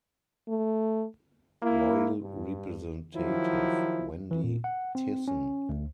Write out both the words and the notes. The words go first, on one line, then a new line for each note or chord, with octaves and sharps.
Royal representative, Wendy Thiessen.
A3
A#3 E4
G2
D#3 F3 F#3 E4
E3
A#2
F#5
C4
C#4
D2